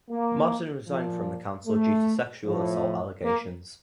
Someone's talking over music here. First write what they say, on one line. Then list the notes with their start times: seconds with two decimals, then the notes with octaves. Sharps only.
Martin resigned from the council due to sexual assault allegations.
0.10 A#3
0.88 A#2 F3
1.66 A3
2.45 A2 F3
3.24 A#3